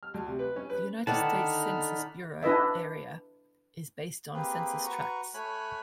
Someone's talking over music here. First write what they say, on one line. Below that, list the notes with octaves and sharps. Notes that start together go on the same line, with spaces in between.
The United States Census Bureau area is based on census tracts.
F6
D2
C3
B4
C#4
B4
D3 D#3 D#4 F#5 A5 B5 F6
D4 E4 B4 D#5 E5
A#3 C4 G4 G#4 B4
F#4 B4 A#5 C#6
A3 C#5 G#5 B5 F#6